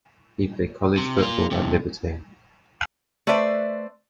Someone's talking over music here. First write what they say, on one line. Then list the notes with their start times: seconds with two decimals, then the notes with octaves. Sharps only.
He played college football at Liberty.
0.98 C3
1.18 A#3 F4
1.51 G2 C3
3.27 A3 B4 C5 D5 E5